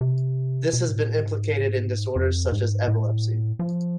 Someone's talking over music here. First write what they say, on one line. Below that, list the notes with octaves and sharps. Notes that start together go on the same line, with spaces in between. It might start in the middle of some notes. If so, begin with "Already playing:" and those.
This has been implicated in disorders such as epilepsy.
C3
B2
G#2
A2
G#2
F2
G#2
A2
F3